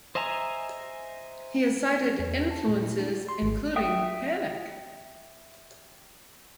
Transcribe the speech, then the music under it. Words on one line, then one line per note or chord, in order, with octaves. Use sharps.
He has cited influences including Panic!
C5 D#5 E5 G#5 A#5
C#4
E2
G4
A5
A#2
E4
D4
F#4
C6
G#1
E5 G5 D#6